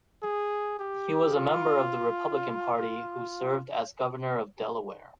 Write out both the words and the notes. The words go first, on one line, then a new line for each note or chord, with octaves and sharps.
He was a member of the Republican Party who served as Governor of Delaware.
G#4
G4
F4